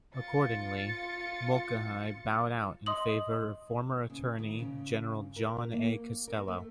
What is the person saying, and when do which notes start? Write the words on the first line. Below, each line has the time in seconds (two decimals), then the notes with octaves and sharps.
Accordingly, Mulcahy bowed out in favour of former Attorney General John A. Costello.
0.14 F4 A6 C#7
2.86 D#5 C6 D#6 F#7
4.10 C#3
4.39 D#3
4.59 C#3
5.36 A#4
5.72 A#3
6.28 A#4
6.48 A3